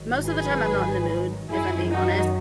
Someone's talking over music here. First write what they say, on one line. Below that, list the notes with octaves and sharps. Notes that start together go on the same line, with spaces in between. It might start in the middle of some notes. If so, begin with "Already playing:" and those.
most of the time I'm not in the mood, if I'm being honest.
Already playing: G#1 G#2 D#3 F#3
G#4 B4
F#2 D#3 F#3 E4 G#4
D#4 F#4